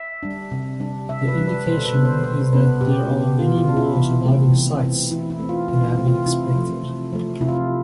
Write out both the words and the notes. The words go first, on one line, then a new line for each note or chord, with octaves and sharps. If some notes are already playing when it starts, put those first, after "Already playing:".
The indication is that there are many more surviving sites than had been expected.
Already playing: E5
G3 D4
C3
G3 D4
C3 E5
B4
G3 D4
B4
B2 C5
A4
B4
B3 D4
C5
B2 C5
B3 D4 B4
B2 G4
B3 D4
B2 F4
F4
B3 D4
E4
E3
A3 C4
E3
A3 C4
E3 E4
E4
A3 C4
F4
E3 F4
F4
A3 C4
F4
C3 E4
F3 A3
C3
F3 A3
C3 E4
F4
E4